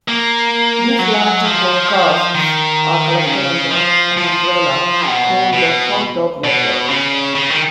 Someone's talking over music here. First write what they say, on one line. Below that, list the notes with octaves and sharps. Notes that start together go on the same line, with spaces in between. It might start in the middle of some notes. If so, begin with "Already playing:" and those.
These latter podcasts are collected under an umbrella called the "Hot Dog Network".
A#3
F#3
F3
D#3
C#3
F3
F3
B2
B2
B2
C#3
C#3
D#3